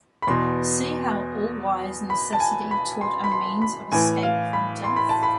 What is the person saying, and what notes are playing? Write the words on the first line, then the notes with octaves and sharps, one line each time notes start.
See how all-wise necessity taught a means of escape from death!
B5
E2 B2 C6
B5
A5
G#5
B5
C6
B5
C6
B5
A2 E3 G#5
F5
B5
C6
B5
A5
B5